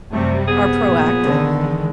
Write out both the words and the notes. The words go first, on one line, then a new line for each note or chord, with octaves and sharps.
are proactive
F#2 C3 G3 A3
B3 G#4
A#2 F3
D3 D#3
E3 G#3